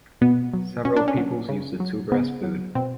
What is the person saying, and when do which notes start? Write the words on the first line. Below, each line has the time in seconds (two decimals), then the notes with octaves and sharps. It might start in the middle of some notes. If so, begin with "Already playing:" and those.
Several peoples use the tuber as food.
0.21 B2 B3
0.54 F#3
0.85 B2 C#4
0.97 D4
1.08 C#4
1.17 F#3
1.49 C#3
1.80 F#3
2.12 C#3 B3
2.43 F#3
2.75 B2 C4